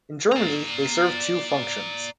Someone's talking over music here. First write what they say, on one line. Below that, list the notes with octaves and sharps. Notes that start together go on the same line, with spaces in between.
In Germany, they serve two functions.
D5 A#5